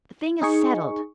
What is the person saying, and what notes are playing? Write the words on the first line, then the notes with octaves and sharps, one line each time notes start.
The thing is settled.
D#4 G#4 C#6